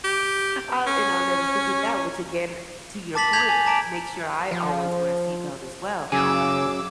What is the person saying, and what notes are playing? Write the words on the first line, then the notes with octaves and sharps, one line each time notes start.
I'll and I'll never forget that, which again, to your point, make sure I always wear a seat belt, as well.
G4
C#4
A5 D6 A6 B6 F#7
G6 G#6 B6 F7 F#7
G#5
A5 A#5 D6 D7
F3
F#2 C#3 G#4 G#5 D6 E6